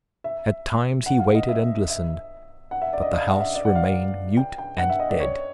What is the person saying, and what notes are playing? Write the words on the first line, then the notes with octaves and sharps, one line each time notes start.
At times he waited and listened; but the house remained mute and dead.
E5
F#5
F5
D#5
E5
E5
F#5
E5
D5
D#5
F5
F#5
E5
D5
F#5
F5
G5
G5
F#5
E5
D#5
D5
C#5